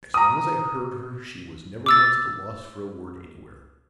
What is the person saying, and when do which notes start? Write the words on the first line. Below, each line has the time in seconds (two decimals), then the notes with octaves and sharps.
As long as I heard her she was never once at a loss for a word anywhere.
0.14 A#5 D#6
1.86 D6 E6 A6